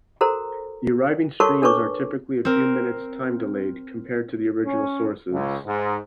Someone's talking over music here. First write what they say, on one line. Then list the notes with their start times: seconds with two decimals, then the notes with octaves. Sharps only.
The arriving streams are typically a few minutes time-delayed compared to the original sources.
0.21 F#4 A4 A#4 C5 A#5
1.40 F#4 A4 A#4 C#5 A5 C#6
1.62 D4 A4 B4 C#5 C#6 D6
2.45 C4 A#4
4.65 C#4
5.31 C#2
5.66 G#2